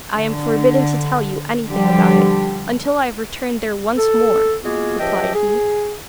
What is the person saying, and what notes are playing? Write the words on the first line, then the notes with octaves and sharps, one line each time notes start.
'I am forbidden to tell you anything about it, until I have returned there once more,' replied he.
D3
D3 F3 G3 G4
A4
G#3 A#3 B3 F4 F#4 G#4
C#2 F3 G4 D#5 E5 G5
G#4